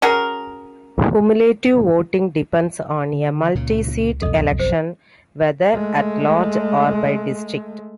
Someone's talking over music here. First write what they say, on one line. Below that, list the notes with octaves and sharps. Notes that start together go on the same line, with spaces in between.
Cumulative voting depends on a multi-seat election, whether at-large or by district.
C#4 F#4 G#4 A#4
D3
C#2 A#2 C#3
B1 F2 A4 D#5
G#1 C5
G#3 A3